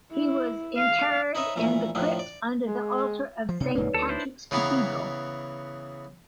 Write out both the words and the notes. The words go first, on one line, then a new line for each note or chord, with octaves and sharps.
He was interred in the crypt under the altar of Saint Patrick's Cathedral.
E4
F5
D#4 B4 C#5 D#5 E5
A#1 A#2 E3 A3
A2 D#3 F3 D4
D5
G#3
F3 C5
G2 C3 D#4 C#5 D5
F1 G#2 A#3 B4
D2 A4
D4 E4 C5
C#3 E3 B3 G#4 A#5